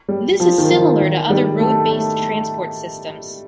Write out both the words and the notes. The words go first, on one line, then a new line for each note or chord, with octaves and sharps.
This is similar to other road-based transport systems.
G3
F3
D#3
F3
D#3
G3
A3
A3